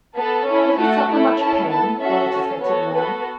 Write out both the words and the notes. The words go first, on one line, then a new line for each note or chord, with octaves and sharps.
"Will he suffer much pain, while it is getting well?"
B3 A4 A5
C#4 E4 A4
A3 F#4 A4 A5
A3 E4 A4
C#4 E4 A4 A5
B3 A4 A5
C#4 F#4 A4 E5
C#4 A4
B3 F#4 A4 C#5
B3 F#4 A4 B4